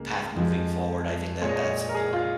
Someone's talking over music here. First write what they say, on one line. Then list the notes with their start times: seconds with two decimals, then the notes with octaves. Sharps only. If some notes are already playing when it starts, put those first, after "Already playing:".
path moving forward, I think that that's important.
Already playing: C#2 C#3 A#3
0.36 F2 F3 G#3
1.42 A#2 G#3 C#5
1.49 D#5
1.56 C#5
1.89 A#4
1.95 G#4
2.13 F4